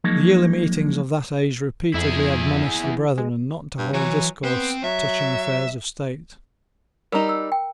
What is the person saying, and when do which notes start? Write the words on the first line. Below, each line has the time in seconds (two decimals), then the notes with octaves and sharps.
The yearly meetings of that age repeatedly admonished the brethren not to hold discourse touching affairs of state.
0.04 F3 F#3 G#3 A#3 D#4
1.94 F2 E4 G#4
2.84 E3
3.18 G#3
3.78 G2
3.94 E3 F#3
4.44 B3 C4
4.84 F#3 E5
7.12 G3 D#4 A#4 A#5
7.29 E6
7.52 G5